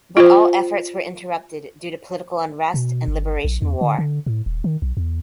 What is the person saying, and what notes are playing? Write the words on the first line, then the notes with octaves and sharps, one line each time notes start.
But all efforts were interrupted due to political unrest and liberation war.
F4 C5
B2
G1
A#1
E2
D3
D3
A2
D#1
D#3
B1
E2